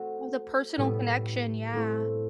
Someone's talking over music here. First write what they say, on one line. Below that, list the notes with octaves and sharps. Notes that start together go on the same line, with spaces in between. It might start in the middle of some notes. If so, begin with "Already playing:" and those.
Oh, the personal connection, yeah.
Already playing: A3 C4 F#4
A2 G3 B3 E4 A4
A3 C4 E4